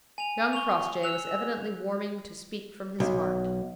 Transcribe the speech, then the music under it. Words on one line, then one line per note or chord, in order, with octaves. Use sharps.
Young Crossjay was evidently warming to speak from his heart.
G#5 F7
C#6 F7 G7
E6 F#6 F7
B1